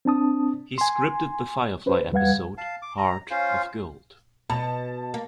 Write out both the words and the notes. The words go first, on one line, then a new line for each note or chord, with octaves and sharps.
He scripted the Firefly episode "Heart of Gold".
C4 D4 A5 D#6
G#5 C6
C#4 B4 C5
E2 G3 B4 F5 F#5 G#6
F5 A5
D6
A#5
C#4 F4 C5 F5
B2 A5
A#3